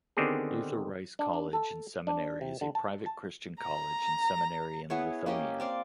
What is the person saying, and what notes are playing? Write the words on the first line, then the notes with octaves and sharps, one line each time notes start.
Luther Rice College and Seminary is a private Christian college and seminary in Lithonia.
D3 D#3 B3 C4 G4 G#4
D4
D4
A4
D4
C3
D3
A5
A5
A#5
B3 E4 G#4 C#5
A#3 C#4 G4 D#5
C4 D5 F5